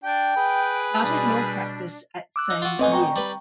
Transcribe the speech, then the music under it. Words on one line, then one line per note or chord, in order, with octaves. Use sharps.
Started law practice at same year.
D4 G5
G#4 B4
B2 G3 D4
D6 E6 F#6
D#4
F4 F#4
A1 B2 C4 D#4 D#5 G#5
G5 A#5 C#6
G3 B4